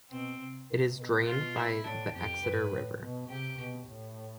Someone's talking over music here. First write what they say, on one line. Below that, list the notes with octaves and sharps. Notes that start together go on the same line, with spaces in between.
It is drained by the Exeter River.
B2 C4
C3
C3
B2
B2 F4
E4
A2 D4
F2 G4
G2 B4
A2
B2
C3 G4
B2
A2